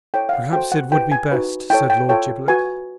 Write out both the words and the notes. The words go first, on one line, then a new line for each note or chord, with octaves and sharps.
"Perhaps it would be best," said Lord Giblet.
E4 A4 C#5 G5
F5
F#5
F#4 A4 C5 G5
F#5
E4 G4 B4 G5
G#5
D#4 F#4 B4
E4 A4 C#5 G5
G5
F4 A4 C#5 G5
F#4 B4 G#5